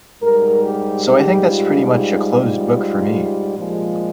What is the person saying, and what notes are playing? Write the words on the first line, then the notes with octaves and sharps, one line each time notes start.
So I think that's pretty much a closed book for me.
G#2 G3 A#4
G4
G4
F4
F4
A#2 F3 G#3